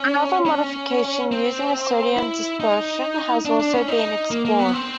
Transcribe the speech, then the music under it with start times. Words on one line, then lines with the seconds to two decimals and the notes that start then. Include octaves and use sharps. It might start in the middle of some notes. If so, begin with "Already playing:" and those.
Another modification using a sodium dispersion has also been explored.
Already playing: C#4
0.46 C#4
1.32 C4
2.17 E4
2.60 D#4
3.45 D4
3.60 D4
3.74 C#4
3.88 D#4
4.30 A#3
4.45 A#3
4.59 B3
4.73 C4